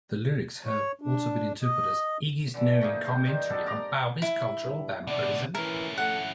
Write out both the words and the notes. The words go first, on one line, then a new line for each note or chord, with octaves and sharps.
The lyrics have also been interpreted as "Iggy's knowing commentary on Bowie's cultural vampirism".
C#5
D4
D#5
D3 E3
A3 A#3 D#4 G#4
C5 G5
G2 D#3 D#4 C5
B3 A4 D5
A#4 D5 A#5 C6
E4
G2
B2 D3 D5
E3 C#4 E4 A#4
A3 F#5